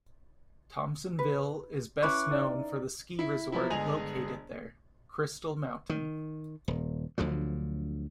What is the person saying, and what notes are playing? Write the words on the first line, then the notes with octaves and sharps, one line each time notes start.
Thompsonville is best known for the ski resort located there, Crystal Mountain.
B4
C#4 E4 B4 C#6 D6 F#6
D#4 D5
E4
F3 F#3 B3 E4
G1 G#3 G#4 D#5 G#5 F7
D#3
D#1
D2 D3 F3 F#3